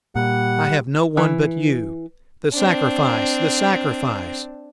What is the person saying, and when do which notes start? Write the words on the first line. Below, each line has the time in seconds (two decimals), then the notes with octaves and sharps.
I have no one but you. The sacrifice, the sacrifice!
0.16 A#2 G3 F#5
1.17 E3
2.53 C4 D4